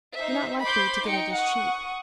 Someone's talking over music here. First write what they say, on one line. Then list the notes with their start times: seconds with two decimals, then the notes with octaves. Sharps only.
You're not likely to get it as cheap.'
0.16 D#4 C5 E5
0.62 C5 B5 C6 D6 G6
1.06 D#4 G5 C#7
1.37 F#5 C#6 D#6